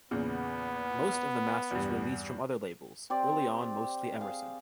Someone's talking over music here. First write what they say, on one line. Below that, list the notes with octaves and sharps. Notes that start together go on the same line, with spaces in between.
Most of the masters were leased from other labels, early on mostly Emerson.
E2 A#2 C#3 B3
E2 G2
C4 G4 D5
G#4 F5